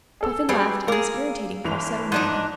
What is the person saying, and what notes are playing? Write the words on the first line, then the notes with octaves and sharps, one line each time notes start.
Puffin laughed in his irritating falsetto manner.
G#4 A4 E6
G3 F#4 G#4 B4 D5 E6
G#4 A#4 F5 D6
G1 E3 F7
G#2 D4 D#4